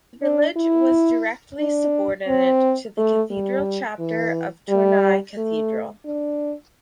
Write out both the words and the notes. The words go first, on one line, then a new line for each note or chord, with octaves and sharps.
The village was directly subordinate to the cathedral chapter of Tournai Cathedral.
D4
E4
D4
C4
A3
G3
E3
G3
A3
D4